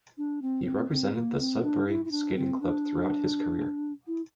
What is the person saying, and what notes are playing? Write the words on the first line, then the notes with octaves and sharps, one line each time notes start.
He represented the Sudbury Skating Club throughout his career.
D4
C4
C4
C4
A#3
C4
D4
E4
E4
D4
C4
D4
E4